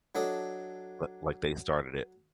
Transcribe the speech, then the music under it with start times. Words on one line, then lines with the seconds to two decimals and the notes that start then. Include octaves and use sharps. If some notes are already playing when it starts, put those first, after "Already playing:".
But, like, they started it.
0.15 F#3 D4 A4 D#5